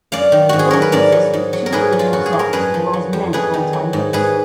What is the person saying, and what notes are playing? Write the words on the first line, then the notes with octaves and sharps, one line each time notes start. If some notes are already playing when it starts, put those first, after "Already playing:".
The film consists with two original songs as well as many old time hits.
F#2 D5 F5
D#3
G#2 F#4
G#4
F#3 A#4
B4
G#2 A#4 D5
F#3
G#2
F#3
A#4
G#2 G#4 B4
F#3
F4
F#2 F#4
G#4
F3
A#4
F#2 G#4 B4
F3
F#3
F2
F2 G#4 B4
D#3
F#3
G#2
G#2 G#4 B4